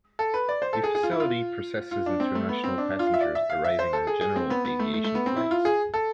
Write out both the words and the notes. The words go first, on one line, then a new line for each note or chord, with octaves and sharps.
The facility processes international passengers arriving on general aviation flights.
A4
B4
D5
C5
A4
G#4
G#4
F4
E4
F4
F4
D4
C4
A3
B3
C4
D4
F4
F5
E5
D5
E5
F5
E5
C5
A4
G#4
G#4
C4
B3
B3
A3
A3
A3
B3
C4
E4
F4
G#4
A4